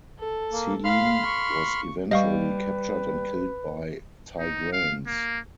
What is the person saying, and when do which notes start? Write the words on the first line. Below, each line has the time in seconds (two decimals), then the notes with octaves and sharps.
Selene was eventually captured and killed by Tigranes.
0.19 A4
0.52 A#3
0.84 F5 B5 C6 F6
1.26 C#6
2.11 G3 B4 D#5 F5 C#6
4.38 D#4
4.72 F5
5.07 A#3